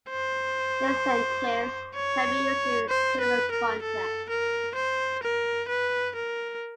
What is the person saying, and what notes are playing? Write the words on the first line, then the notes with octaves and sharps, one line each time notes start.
Incentives can be used in several contexts.
C5
C#5
C5
B4
A#4
A4
A#4
C5
A#4
B4
A#4